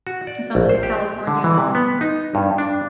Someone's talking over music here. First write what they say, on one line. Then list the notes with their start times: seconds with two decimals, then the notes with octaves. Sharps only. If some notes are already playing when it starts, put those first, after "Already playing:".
It sounds like a California home.
0.07 F#4
0.27 D5
0.55 A#1
0.69 C5
0.83 G4
1.27 D3
1.44 E3
1.58 C3
1.75 B3
2.01 D#4
2.35 G2
2.58 D4